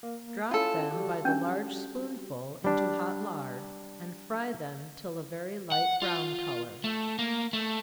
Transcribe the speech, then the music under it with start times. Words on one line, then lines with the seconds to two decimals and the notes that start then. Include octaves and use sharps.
Drop them by the large spoonful into hot lard, and fry them till a very light brown color.
0.03 A#3
0.51 C#4 E4 F4 A4
0.91 G3 F#4 G4
1.25 C#4 D4
2.64 G3 D4
5.72 F#5
6.02 F4
6.84 A3
7.19 A#3
7.53 A3